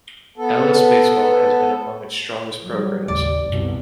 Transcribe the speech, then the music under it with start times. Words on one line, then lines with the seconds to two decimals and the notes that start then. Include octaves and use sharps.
L-S baseball has been among its strongest programs.
0.38 B3 A4
2.63 F#3 G3
3.08 A1 D#2 C#3 A3 D5
3.49 C2 F#2 B2